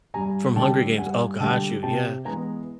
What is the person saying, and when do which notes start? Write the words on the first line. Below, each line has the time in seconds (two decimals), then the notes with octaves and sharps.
from Hunger Games oh, got you, yeah.
0.14 G2 G#5 A#5
0.56 D3 G3 G5 A5
0.98 G2 F#5 G#5
1.40 D3 G3 G5 A5
1.83 C3 G5 A5
2.25 E3 G#3 B3 G#5 A#5